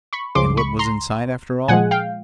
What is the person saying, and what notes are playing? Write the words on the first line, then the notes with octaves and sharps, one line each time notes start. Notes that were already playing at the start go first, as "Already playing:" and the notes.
And what was inside after all?
B5 C#6
C#2 C#3 F3 G#3 C6 D6
B5 C#6
A#5 C6
A#2 F3 G#3 F#5 G#5
F5 G5